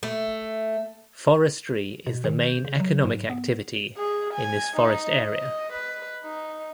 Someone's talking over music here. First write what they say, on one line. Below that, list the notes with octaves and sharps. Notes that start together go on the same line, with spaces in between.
Forestry is the main economic activity in this forest area.
A3
B2
D#3
G6
C#3
F#3
G#2
B3
G#4
G#5
D#4
D#5
B4
D#4